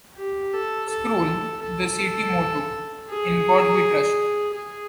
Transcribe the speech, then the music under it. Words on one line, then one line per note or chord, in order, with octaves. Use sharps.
Scroll: The city motto, "In God We Trust".
G4
A4
A4
A4
G#4
G#4